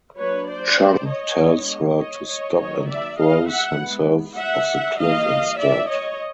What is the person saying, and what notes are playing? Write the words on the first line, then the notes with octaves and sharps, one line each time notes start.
Chang tells her to stop and throws himself off the cliff instead.
F#3 A#3 D4 B4 C#5
C5 D5
C#5 D#5
G#3 B3 D4
C#5 D#5
C#5 D#5
D#3 F#3 A#3 C#5 D#5
D5 E5
D#5 F5
E5 F#5
G#3 B3 E4
E5 F#5
E3 G3 A#3 D#5 F5
D5 E5
C#5 D#5